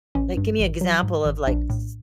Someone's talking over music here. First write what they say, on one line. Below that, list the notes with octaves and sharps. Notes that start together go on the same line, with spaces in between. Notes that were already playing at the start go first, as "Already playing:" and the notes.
Like, give me an example of, like, s
A1 C#4
G2
A1
F#3
G#2
G#1
A#1 D4
A2